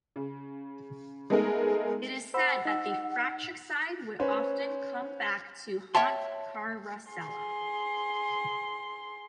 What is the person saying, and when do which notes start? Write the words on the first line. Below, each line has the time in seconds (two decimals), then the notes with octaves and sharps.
It is said that the fratricide would often come back to haunt Caracalla.
0.16 C#3
1.30 G#3 A3 B3 D#4 G#4 A#4
2.34 C5 F#5 B5 E6
2.65 D#4 E6
4.20 C#4 B4 C5
5.95 C#5 E5 G5 A5 C6
7.12 G#4 C6